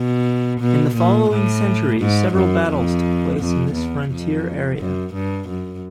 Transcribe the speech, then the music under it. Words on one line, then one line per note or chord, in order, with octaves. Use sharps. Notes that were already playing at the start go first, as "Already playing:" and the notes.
In the following centuries, several battles took place in this frontier area.
Already playing: B2
B2
A#2
A2
G#2
F#2
F2
F2
E2
F2
F#2
G2
F#2